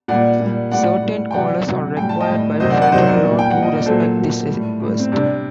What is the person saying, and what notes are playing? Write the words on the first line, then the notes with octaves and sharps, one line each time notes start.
Certain callers are required by federal law to respect this request.
A#2 G3 D5 F#5
A#2 G3
A2 G3 D5 F#5
A2 G3
G5
C3 F#3 D5 F#5
C3 F#3
A2 G3 G5
A5
D#5 G5
A2 G3
C3 D#3 F#3 C5 D#5
D5 F#5
D5 F#5
C3 D#3 F#3 C5 D#5
A#4 D5
A#2 G3
G5
F#5
A#2 G3
D#5
D5
A#2 F#3 A4 C5
A#2 F#3
A2 G3
A2 G3
C4
C3 G3 D4